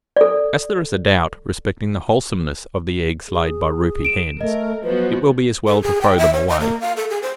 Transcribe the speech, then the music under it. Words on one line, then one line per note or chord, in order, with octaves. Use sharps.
As there is a doubt respecting the wholesomeness of the eggs laid by roupy hens, it will be as well to throw them away.
A4 D5
G#4
D7 E7
A3 A#4 D#5
F3 F#3 B3 F#4 B4
A4
G#4
G5
E5
C#5
D#5
A#3
F5
A4
G#4
C5